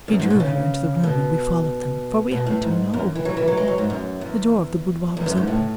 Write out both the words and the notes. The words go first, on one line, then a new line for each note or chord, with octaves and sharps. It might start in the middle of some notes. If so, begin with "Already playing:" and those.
He drew her into the room and we followed them,--for we had to know!--The door of the boudoir was open.
F#2
G#2
B2
C#3
B2
B2
A2
G#2
F#2
E3
F#3
E3
F#3
G#3
F#3
G#2
F#2
E2
E2
F#2
G#2
A2